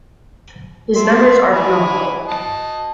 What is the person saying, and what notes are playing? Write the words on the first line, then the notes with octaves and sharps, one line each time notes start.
His numbers are phenomenal.
E5 C6
E3 G#5 B5
D#5 A5